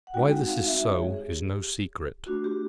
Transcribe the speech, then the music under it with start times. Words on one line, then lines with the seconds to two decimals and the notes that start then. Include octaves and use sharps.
Why this is so is no secret.
0.07 F#5
0.14 G#3 C4 D#4 F#4 G5
0.32 F#5
0.49 F5
0.67 E5
0.84 C#5
1.02 G#4
1.14 G#4
1.20 G4
2.26 A3 D4 F4 F#4
2.44 G4